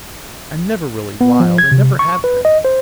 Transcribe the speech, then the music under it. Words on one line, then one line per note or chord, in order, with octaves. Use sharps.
I'm never really wild and never have been.
B3
F3
G#6
C3
C#6
B4
D#5
C5